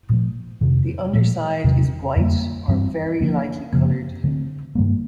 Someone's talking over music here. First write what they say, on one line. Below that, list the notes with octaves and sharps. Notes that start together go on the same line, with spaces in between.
The underside is white or very lightly coloured.
A#2 F3 A3
F2 C3 D#3
A#2 F3 A3
E2 C3 D#3 F#3
F2 D3 G3 A#3
G2 E3 G3 C4
D3 F3 A#3 D4
F#2 C#3 F3 A#3
D3 F#3 A3 C4
G2 D#3 G3 A#3